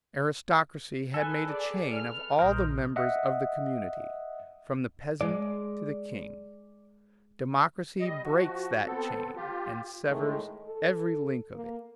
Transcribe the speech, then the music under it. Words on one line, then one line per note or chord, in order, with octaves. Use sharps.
Aristocracy had made a chain of all the members of the community, from the peasant to the king: democracy breaks that chain, and severs every link of it.
A4 B4 G#5
G#4 D5
F6
A#1 A#4 C5 D#5
D#5 E5 F#5
G#3 D5
G3 D#5
F3 F#4
B3 C4 A4
F4 G4
A2 D#3 G#3 A3
A4
A#3